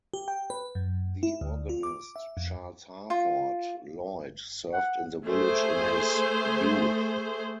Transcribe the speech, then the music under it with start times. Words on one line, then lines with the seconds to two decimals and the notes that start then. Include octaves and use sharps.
The organist Charles Harford Lloyd served in the village in his youth.
0.14 G4
0.28 G5
0.50 B4
0.75 F#2
1.23 E4
1.41 D2
1.69 F4
1.83 D6
2.16 E5
2.37 F2
3.10 F4
4.73 F#5
5.27 A3 G#4 C5